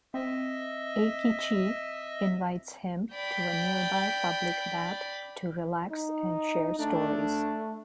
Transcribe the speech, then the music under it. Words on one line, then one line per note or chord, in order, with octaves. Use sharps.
Eikichi invites him to a nearby public bath to relax and share stories.
C4 D#5 E5
D5 G5 B5
D#4
A3 D4